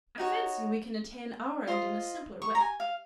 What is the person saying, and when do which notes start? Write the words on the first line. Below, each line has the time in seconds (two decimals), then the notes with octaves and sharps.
I fancy we can attain our end in a simpler way.
0.18 D#4 F#4 C#5
1.67 F4 C5 D#5
2.42 C#6
2.55 A#5
2.60 G#5
2.80 F5